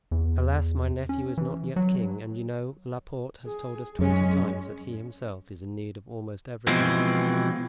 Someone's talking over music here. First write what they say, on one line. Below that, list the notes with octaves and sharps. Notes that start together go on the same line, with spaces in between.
"Alas! my nephew is not yet king, and you know Laporte has told us twenty times that he himself is in need of almost everything."
E2
C#4
E3
F#3
G#4
F#2 G#3 C#4
B2 E3 F3 G#3 C4